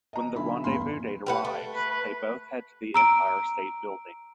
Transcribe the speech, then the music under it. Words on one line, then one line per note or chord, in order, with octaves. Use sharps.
When the rendezvous date arrives, they both head to the Empire State Building.
D#5 A#5
B1 D3 E4 B5
D#1 E2 G2 C#4 B5 C6
G3 B4 F#5
A3
B4
B4
A#5 E6 D7